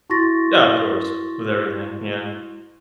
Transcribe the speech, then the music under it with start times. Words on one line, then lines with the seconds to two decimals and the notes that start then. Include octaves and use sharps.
Yeah of course, with everything. Yeah.
0.10 E4 F#4 C6 C#6 A6 A#6